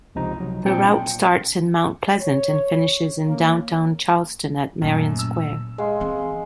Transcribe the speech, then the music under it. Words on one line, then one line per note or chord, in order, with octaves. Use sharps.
The route starts in Mount Pleasant and finishes in downtown Charleston at Marion Square.
C#2 C3 F3 D#4
F#3
A#2 A#3 C4 D4 G5 C#7
C#5
A#3
F#2 A#2 A3 A5
E6
G#3 G#4 F5 C6
E3 C4